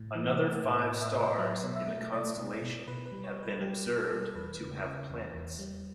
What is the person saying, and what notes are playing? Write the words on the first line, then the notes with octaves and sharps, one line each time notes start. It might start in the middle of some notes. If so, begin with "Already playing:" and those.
Another five stars in the constellation have been observed to have planets.
Already playing: A2
E3
F#5
A3
A2
A2
E5
A2
F#3 E5
B2
E5
A3
A3 D5
B2
B2
B2 B4
B4
G3
C#5
G3
B4
G3 G4
B2
A4
G3
E2 B4
C#3
C#3
E2
E2
G3